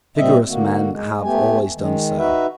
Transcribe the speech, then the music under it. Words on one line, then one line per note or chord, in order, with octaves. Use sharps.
Vigorous men have always done so.
A#2 G3 C4 D#5 E5
D3 A#3 F#4
G#3
A3 B3 G4 G#5
D#3 G#3
D#4 F#4 B4 E5